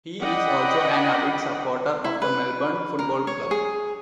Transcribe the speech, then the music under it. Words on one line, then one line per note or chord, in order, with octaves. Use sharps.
He is also an avid supporter of the Melbourne Football Club.
D5 D#5 F#5 G5 B5
E4
B4
A#4
C#5
G#4